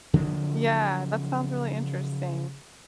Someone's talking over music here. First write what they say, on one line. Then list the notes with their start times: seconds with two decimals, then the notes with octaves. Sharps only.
Yeah, that sounds really interesting.
0.13 C#3 F3 F#3 A#3